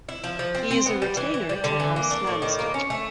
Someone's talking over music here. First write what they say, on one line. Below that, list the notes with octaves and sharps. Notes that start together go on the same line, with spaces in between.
He is a retainer to House Lannister.
E4
F3
F3
C4
C4
B3
G3
E3
E3
G3
D3
E3
A#3
D4
A2
D#3
A#3
C#4
A3